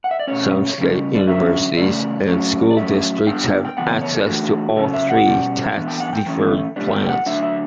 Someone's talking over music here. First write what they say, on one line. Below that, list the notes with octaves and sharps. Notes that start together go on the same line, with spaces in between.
Some state universities and school districts have access to all three tax-deferred plans.
F#5
E5
D5
B2 A3 C#4 C#5
C#3 G3 C#4
D5
D3 F#3 C#4 E5
C#3 E3 A3 C#4 D5
A2 F#3 A3 C#4
D5
A2 F#3 C#4 E5
D3 G3 B3 D4 G5
G5
C#3 E3 B3 F#5
C#5
A4
E3 A3 D4 F#4
C#3 F#3 C#4 A4
E5
F#5
B2 G3 C#4
E3 B3 D4
G5
F#5
G5
E3 A3 C#4
A2 G3 B3 D4
G5
F#5
D3 F#3 A3 D4 E5
E5